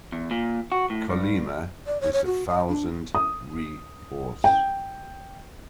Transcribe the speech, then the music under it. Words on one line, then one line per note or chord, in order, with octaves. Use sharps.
"Chollima" is the thousand-"ri" horse.
E2
A#2
F#4
A2
G2
D5
C#5
C#5
F#4
D#5
D4
D#6
G5